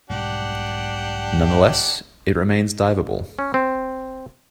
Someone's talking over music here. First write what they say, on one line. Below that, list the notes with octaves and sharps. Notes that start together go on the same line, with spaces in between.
Nonetheless, it remains diveable.
B1 G#2 G3 D4 G4 F#5
C#4
C4